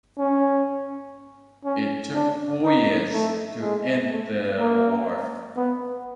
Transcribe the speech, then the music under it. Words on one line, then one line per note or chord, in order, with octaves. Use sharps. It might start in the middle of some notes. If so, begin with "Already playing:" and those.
It took four years to end the war.
C#4
C#4
D4
D#4
A3
G#3
A3
A#3
B3